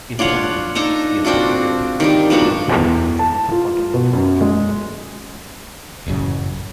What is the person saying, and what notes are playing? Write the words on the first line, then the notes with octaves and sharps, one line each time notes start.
In the Army, he attended a technical school where he received auto mechanic training.
D4 F4 C#5 F#5
D4 D#4 A4 A#5
C4 D4 F4 F#4
D#3 G3 D4
F3 B3 D4 F#4
E2
A5
F4
B2
F#2
G#3
D#1 A1 F#2 C#3